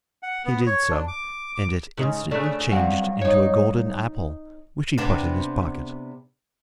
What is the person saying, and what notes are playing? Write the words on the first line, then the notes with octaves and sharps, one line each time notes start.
He did so, and it instantly changed into a golden apple, which he put in his pocket.
F#5
B3
C#5
D4
D6
D6
G#2 C#3
C#3 A3 D4
F#3 G3 C4 F#4 F5
D#4 C#5
C3 B3 D4